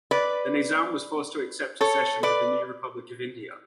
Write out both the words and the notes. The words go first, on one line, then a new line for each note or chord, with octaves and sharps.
The Nizam was forced to accept accession to the new Republic of India.
B4 D5
A4 C#5
B4 D5